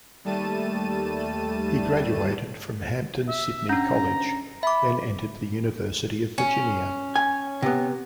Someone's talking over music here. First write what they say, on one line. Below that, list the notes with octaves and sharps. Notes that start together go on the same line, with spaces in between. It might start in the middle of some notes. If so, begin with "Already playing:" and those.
He graduated from Hampden-Sydney College, then entered the University of Virginia.
D#2 G3 A3 A5 D#7
E5
C#4 D4 A#5
E5 B5 D6
C#4
G#5
C3 B3